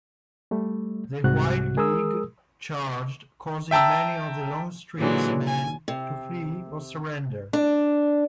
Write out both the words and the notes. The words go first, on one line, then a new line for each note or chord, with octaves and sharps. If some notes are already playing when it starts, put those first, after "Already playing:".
The White League charged, causing many of Longstreet's men to flee or surrender.
G3 A3
C2 G#2 C3 G3 F#4 F#6
G#3 G#4 A#4 D#6 E6
E5 G5 A5 A#5 E6
A#2 D3 E3 F#3 G#3
G#5
C3
D4